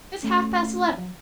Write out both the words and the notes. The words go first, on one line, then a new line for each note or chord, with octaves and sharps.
It's half-past eleven.
A3 C#4